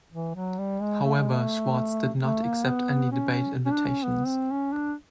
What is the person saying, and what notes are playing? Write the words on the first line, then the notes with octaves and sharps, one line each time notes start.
However, Schwartz did not accept any debate invitations.
E3
F#3
G3
G#3
A3
G#3
A3
A3
A#3
B3
C#4
C#4
D4
C#4
B3
C4
C#4
D4